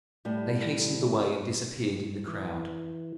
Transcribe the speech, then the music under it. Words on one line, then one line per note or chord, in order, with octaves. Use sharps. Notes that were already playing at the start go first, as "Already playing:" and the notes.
They hastened away and disappeared in the crowd.
A2 G3
E3